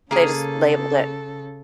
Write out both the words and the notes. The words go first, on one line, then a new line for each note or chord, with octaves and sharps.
They just labeled it.
C#3 A#3 G#4 A4